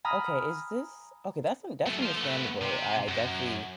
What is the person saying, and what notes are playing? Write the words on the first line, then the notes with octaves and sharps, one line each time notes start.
Okay, is this Okay, that's un that's understandable, I definitely
G#5 A#5 B5 D#6 F6
F#2 A3
F4 C5
A3 B3
C3
F#2